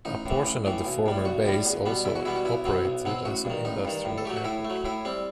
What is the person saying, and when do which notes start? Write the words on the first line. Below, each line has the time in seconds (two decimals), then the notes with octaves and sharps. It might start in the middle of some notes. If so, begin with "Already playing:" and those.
A portion of the former base also operated as an industrial airport.
0.05 A1 D#4
0.26 A2 E3
0.45 A1
0.65 A2 E3
0.85 B1
1.06 A2 G3
1.25 B1 F#4
1.45 A2 G3
1.65 E2
1.86 B2 G3 B3
2.05 E2 E4
2.15 F#4
2.25 B2 G3 B3 E4
2.35 F#4
2.45 B1 E4
2.65 B2 F#3 C4
2.85 B1
3.05 B2 F#3 C4
3.25 A1 F#4
3.45 G2 D#3
3.65 A1 D#4
3.85 G2 D#3
4.05 A2
4.18 A4
4.25 F#3 A3 G4
4.36 F#4
4.45 A2 E4
4.65 A3
4.70 F#3
4.85 A2 E4
5.05 G3 C4